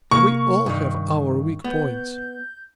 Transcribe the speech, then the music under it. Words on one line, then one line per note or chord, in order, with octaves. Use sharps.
We all have our weak points.
C3 A#3 C#6
G2 D#3
B3 G6